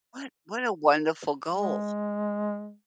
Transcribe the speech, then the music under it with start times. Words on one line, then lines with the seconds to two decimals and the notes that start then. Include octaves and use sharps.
What what a wonderful goal, a
1.53 G#3